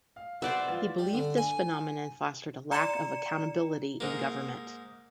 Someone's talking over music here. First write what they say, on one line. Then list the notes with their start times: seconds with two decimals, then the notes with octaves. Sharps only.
He believed this phenomenon fostered a lack of accountability in government.
0.16 F5
0.42 B4 C5 D5 E5 F#5
0.68 E3 F4 A6
0.98 G3
1.13 D3
1.37 G#5
2.71 D5 A#5 C#7 E7
4.00 G#2 A#3